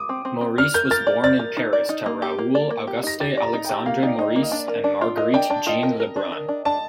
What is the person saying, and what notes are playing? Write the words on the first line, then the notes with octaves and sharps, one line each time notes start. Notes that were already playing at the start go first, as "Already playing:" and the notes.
Maurice was born in Paris to Raoul Auguste Alexandre Maurice and Marguerite Jeanne Lebrun.
Already playing: D6 D#6
C4
C4
C4
D5 F6
A#4 G6
A#4 A6
D5
D5 A6
A#4
D#4
D5
D#4
A#3
G4
A#3
D5
A#3
G4
D#4 A#6
G4 A6
D5 A#5
D#4
G4 G5
A#3 F5
D#4 D5
D#4 D#5
A#3
D#5
D4 D5
A#4
D4
F4
A#4 D#5
D4 G5
D4 A5
F4 D#5
A#4
A#4
D4
A#4
D4
D4 A5